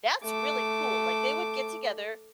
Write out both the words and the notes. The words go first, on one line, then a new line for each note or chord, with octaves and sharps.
"That's really cool," like, they would get together,
A3 D6